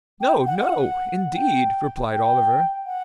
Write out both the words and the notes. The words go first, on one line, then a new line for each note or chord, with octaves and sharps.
'No! No, indeed!' replied Oliver.
G5
F#5
F#5
G5
G5
F#5